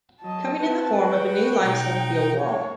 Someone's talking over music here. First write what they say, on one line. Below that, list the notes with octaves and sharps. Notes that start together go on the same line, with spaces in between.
Coming in the form of a new limestone field wall.
F#3 D#5 A5
C4 F#4 B4
G#4 G5
B2 D#4 F#5
G#2 A#3 C#5